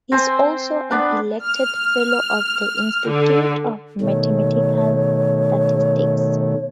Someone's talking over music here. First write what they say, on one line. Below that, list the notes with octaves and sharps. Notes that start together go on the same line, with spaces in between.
He is also an elected Fellow of the Institute of Mathematical Statistics.
C4 C5 G#5 C6
B3 D4 B4
F6
D3
B2 D#3 A3 C#5